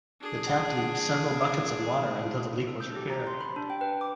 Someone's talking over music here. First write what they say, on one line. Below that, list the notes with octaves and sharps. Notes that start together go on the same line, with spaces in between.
The tap leaked several buckets of water until the leak was repaired.
D4 G#4
A4
G6
G4
A#5
C6
B5
D4
G5
B4
D6